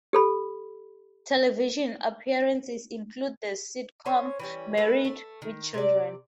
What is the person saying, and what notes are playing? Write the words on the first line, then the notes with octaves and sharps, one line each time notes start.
Television appearances include the sitcom "Married... with Children".
G4 A4 B5
C#4 C5 C#5
E3 G3 C#4
A4 B4
A3
D#3
C3 D5